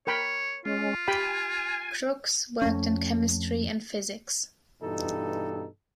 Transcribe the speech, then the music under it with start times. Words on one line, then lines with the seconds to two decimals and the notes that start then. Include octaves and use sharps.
Crookes worked in chemistry and physics.
0.07 A#4 C#5 G5 B5
0.65 G#3 C#4 F4
1.08 G4 G5 G#5 B5
2.62 F2 A3 C#4
4.82 G2 B2 E3 D#4 A4